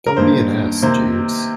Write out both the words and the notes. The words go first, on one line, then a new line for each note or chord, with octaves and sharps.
Don't be an ass, Jeeves.
A#4
G2 D#3 A#3 C5
C3 D#3 A#3 C5